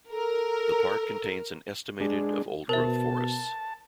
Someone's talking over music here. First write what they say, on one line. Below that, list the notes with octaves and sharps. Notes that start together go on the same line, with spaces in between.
The park contains an estimated of old-growth forests.
A4 A#4
G#3 D4
B2 A#4 C5 E5 A5